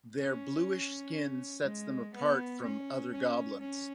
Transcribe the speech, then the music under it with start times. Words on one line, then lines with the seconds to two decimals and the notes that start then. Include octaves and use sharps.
Their bluish skin sets them apart from other goblins.
0.18 C#4
1.65 G#3
2.14 B3
2.63 C#4
3.12 C#4
3.61 C#4